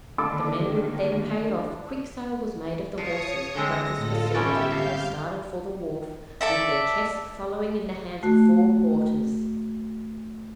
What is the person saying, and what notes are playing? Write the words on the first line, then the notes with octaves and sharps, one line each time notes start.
The men were then paid off; quick sale was made of the horses; breakfast was served, and they started for the wharf, with their chests following in the hands of four porters.
D3 D#3 A#3 D4 A4 D6
F3 C#5 C#6 D#6
D3 G#3 C4 A#6
A2 F4 A4
G1 B3 C#4 G4 D5 E5
C3 F5 G6
A4 D5 E5
A3 F#4